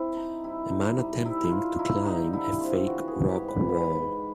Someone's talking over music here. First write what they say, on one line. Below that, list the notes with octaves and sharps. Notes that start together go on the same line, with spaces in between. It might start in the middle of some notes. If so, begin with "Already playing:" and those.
A man attemping to climb a fake rock wall.
Already playing: C4 E4
D#4
G3 E4
D#4
G3
D#4 E4
G3 F4
D#4 E4
G3 D#4
D3 E4
C4 F4
E3 F#4
G#4
G#2
G4
G#2
B4
G#2 B4
G#2